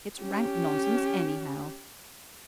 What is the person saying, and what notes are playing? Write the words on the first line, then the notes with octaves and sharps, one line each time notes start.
It's rank nonsense, anyhow!
C#4 G4